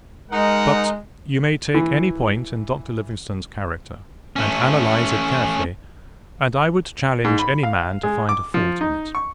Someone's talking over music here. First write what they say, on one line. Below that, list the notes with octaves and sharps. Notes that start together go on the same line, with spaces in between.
But you may take any point in Dr. Livingstone's character, and analyse it carefully, and I would challenge any man to find a fault in it.
G#3 D#4 A#4 F#5
E3
A3 C#4
G#2
B5
F5
G#3
D6
F3
D#4
C#6